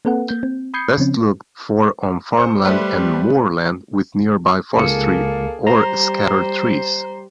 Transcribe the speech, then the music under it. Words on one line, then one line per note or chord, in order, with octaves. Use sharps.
Best looked for on farmland and moorland with nearby forestry or scattered trees.
A#3 C4 A4 B4 F#5
A#3 G6
C4
B5 D#6 G6 G#6 C7 C#7
C#3 F3 C4 C#4
C5 C#7
G3 A3 B4 C5
C#2 A#3 G#4 A4 C#7
G3 C5 A#5